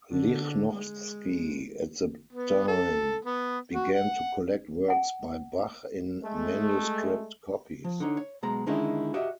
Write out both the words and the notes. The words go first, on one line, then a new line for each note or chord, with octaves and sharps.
Lichnowsky at the time began to collect works by Bach in manuscript copies.
D3
G#3
B3
A4
B3
F#4
F#5
F#5 G#5
G#3 A3
F3
D3 D#4 C#5
C#5
B1 B2 G#3 A#5
D3 D#3 G#3 C#4 D#4 E4
F#4 G4 D#5 E5